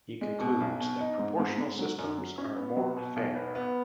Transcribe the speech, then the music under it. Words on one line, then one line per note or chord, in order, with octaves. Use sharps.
He concludes that proportional systems are more "fair".
G#3
B2
B1
B2
D#4
G#2
G#2
G#2
F#3
F#2
F#3
C#4
B3
F#3
B2
B1
B3
B3